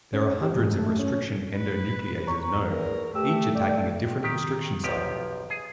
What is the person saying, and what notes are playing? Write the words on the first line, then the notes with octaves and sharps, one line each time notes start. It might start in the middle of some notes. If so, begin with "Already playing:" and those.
There are hundreds of restriction endonucleases known, each attacking a different restriction site.
C#4
G4
G#2
A3
C#4
B4
A#5 C#6
E2 A#4
A3 G4 E6
D#4 D5 G5
D#3 G4
B1 F3 G4
G#4